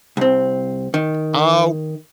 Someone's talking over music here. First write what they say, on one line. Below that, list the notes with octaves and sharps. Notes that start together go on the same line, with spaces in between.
D oh
C2 C4
D#3